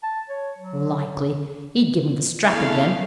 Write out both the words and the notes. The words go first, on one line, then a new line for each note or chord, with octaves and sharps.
Likely! he'd give me the strap again.
A5
C#5
F#3
E2 A3 F5